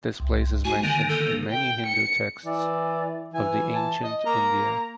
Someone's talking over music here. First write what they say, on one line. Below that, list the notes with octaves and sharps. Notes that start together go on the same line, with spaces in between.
This place is mentioned in many Hindu texts of the ancient India.
C2
G#3 F#4 G#5
D3 D#3 A#3 G#5
A4
G5
C#7
E3 D5
E3 G#5
A5
D#5
A#3 A#5